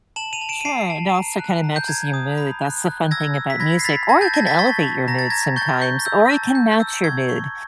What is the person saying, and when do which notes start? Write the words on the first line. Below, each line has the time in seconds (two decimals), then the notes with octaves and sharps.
Sure, it also kind of matches your mood, that's the fun thing about music, or it can elevate your mood sometimes, or it can match your mood.
0.16 A5 E7 F#7
0.33 D#7 F7
0.41 A5
0.49 D7 E7
0.61 D#7
0.65 A5 C7 D7
0.90 A5
1.15 A#5
1.39 F#6
1.64 A#5
1.76 G6
1.88 A#5 G#6
2.14 D#6
2.38 B5
2.62 F#6
2.87 F#6
3.11 E6 G#6 A#6
3.35 E6
3.50 B6
3.60 B5 G#6 A#6
3.79 C7
3.84 B5 A6 B6
4.09 A5 G#6 A#6
4.21 G6 A6
4.34 A5 G#6 A#6
4.46 A6 B6
4.59 C#6 A6 B6
4.83 A5
5.08 A#5 A#6
5.19 A6
5.30 A#5 G#6 A#6
5.56 C#6 G6 A6
5.82 C#6 G6
6.05 E6 G6
6.31 A5
6.55 G6
6.80 E6
7.04 C#6 G#6
7.29 C#6